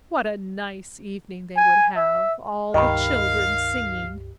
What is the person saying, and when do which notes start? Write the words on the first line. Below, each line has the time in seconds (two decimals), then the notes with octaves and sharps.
What a nice evening they would have, all the children singing!
1.57 G#5
1.97 E5
2.74 C#2 G2 D#3 G4 D#5 F5 B5